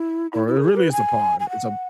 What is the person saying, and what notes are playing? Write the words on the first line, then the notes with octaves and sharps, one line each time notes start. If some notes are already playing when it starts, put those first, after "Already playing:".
or really it's a pond it's a
Already playing: E4
E4
E4
A#4
G#4
B4
G#5
G#5
F#5